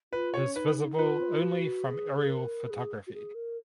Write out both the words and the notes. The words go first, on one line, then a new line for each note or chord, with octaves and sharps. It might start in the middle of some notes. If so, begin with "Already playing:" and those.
It is visible only from aerial photography.
F4 B4
C#5
C#4
D#4 B4
F4 B4
F#4
G#4
G#4
A#4
G#4
F#4
G#4
A#4